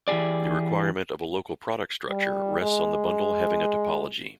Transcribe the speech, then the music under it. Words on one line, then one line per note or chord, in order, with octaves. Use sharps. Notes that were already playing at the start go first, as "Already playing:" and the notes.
The requirement of a local product structure rests on the bundle having a topology.
E3 E4 G4 G#4 D5
G3
G#3